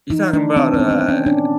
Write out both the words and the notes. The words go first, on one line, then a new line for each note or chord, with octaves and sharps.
You talking about, uh
E3 D#4
A3 D4
D#3 C4
C4
B3
C4
B3
C#4
A#2 D4